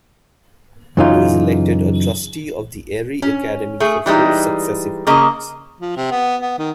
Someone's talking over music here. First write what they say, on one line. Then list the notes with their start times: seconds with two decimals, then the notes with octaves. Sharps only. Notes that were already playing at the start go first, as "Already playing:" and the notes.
He was elected a trustee of the Erie Academy for four successive terms.
0.97 F#2 C#3 E3 G#3 D#4 F4
3.22 C#4
3.80 A3 G#4
4.06 E3 G3 G#3 D#4
5.07 C#3 A#3 D#5
5.81 F3
5.97 C3
6.11 B3
6.42 B3
6.58 D#3